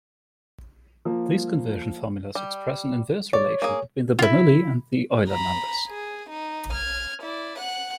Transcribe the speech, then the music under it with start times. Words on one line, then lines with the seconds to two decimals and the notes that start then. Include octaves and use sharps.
These conversion formulas express an inverse relation between the Bernoulli and the Euler numbers.
1.05 F3 A#3
2.35 G3
3.33 C#5 D5
3.62 A#3 G#4
4.19 E4 F4
5.29 A#5 B5
5.88 G#4
6.29 D#4
6.73 F6 G#6
7.22 E4 D5
7.58 F#5 F#6